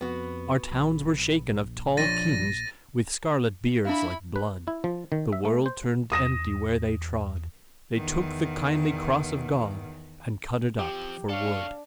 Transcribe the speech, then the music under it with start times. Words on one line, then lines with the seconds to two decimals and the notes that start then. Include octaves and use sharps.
Our towns were shaken of tall kings With scarlet beards like blood: The world turned empty where they trod, They took the kindly cross of God And cut it up for wood.
0.01 F2 B3 F#4
0.70 A#1
1.97 F3 D4 C#5 A6 A#6 D#7
3.85 D4 E4 F5 B5
4.36 B4
4.68 E4
4.84 F3
5.12 D#3
5.33 E5
5.45 A3
5.66 C5
6.12 E2 D#6 A#6 E7
7.95 E2 D#3
10.79 F3 C4 G4
11.29 D4 A4 C#5 F5